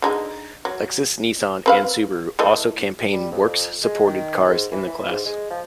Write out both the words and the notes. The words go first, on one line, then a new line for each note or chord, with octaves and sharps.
Lexus, Nissan, and Subaru also campaign works-supported cars in the class.
D3 G#3 D#4
F#3
C4 B4 F5
E3 A3 D#5
G3
F2
G#3
D#3
G#2
E3
E3
G#2
G#3
F3